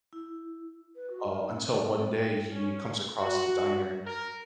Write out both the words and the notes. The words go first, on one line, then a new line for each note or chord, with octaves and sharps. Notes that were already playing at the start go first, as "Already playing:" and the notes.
uh, until one day he comes across the diner
E4
B4
F#4
A#4
D#4
C#4
D5
C4
D5
G5
C#4
F#4
A#4